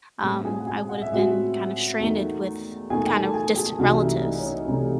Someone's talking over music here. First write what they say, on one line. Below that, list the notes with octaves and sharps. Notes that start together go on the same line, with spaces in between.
um, I would've been kind of stranded with kind of distant relatives.
A2 G#3 C4
G#4 G#5
F#5
G#4 G#5
F#5
E5
A2 G#3 C4 F#4 F#5
E2 D#3 A3
E2 D#3 A3 G#4 G#5
G#5
A4 A5
G#4 G#5
G#4 G#5
C2 C3 E3 A3 D#4 F#4 F#5
E4 E5
D#4 D#5
C#5
D#4 D#5
C2 C3 E3 A3 D#4